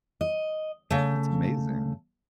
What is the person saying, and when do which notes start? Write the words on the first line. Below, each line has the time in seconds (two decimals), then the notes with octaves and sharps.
That's amazing.
0.21 D#5
0.90 C#3 A3